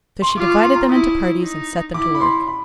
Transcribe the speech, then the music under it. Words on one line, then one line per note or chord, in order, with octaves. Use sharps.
So she divided them into parties and set them to work.
C6
C#6
F4 D6
C#6
C6
A#5
E4 D#6
D#4
E4 D6
B5
C6
B5